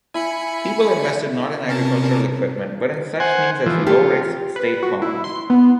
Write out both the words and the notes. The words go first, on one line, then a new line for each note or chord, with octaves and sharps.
People invested not in agricultural equipment but in such things as low-risk state bonds.
E4 G#5 B5 C#7
C3 C#4 A#4 A5
C5 F#5 G#5
E3 F3
F4 G4 A4
B4
F#4
E4
C6
B3